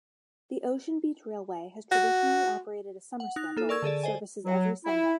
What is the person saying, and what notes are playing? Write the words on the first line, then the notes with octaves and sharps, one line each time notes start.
The Ocean Beach Railway has traditionally operated a summer schedule with services every Sunday.
F#4
F#5
D#4 F#6
A#3 A4
A#4 D5 C#6 E6 G#6
D3 G#4 A4 D5
C5 D#5 G#5
F#3
E4